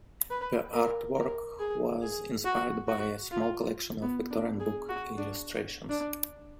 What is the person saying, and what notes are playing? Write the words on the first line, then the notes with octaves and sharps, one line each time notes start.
The artwork was inspired by a small collection of Victorian book illustrations.
B4
A#4
A#4
G#4
G#4
F#4
F#4
F4
B3
D4
G#4
F#4
D4
D4